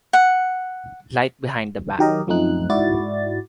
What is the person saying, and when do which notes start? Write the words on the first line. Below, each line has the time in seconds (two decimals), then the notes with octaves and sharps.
Light Behind The Back.
0.13 F#5
1.99 D#3 F#3 G4 A#4 D#5
2.27 F#2 F3 A3 C4 D#4 F#6
2.69 G#2 E4 F#4 D5 A6